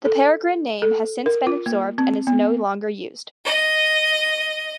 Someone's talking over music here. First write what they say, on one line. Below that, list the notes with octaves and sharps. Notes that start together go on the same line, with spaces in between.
The Peregrine name has since been absorbed and is no longer used.
A4
A4
A#4
F4
A#3
C4
B3
D#5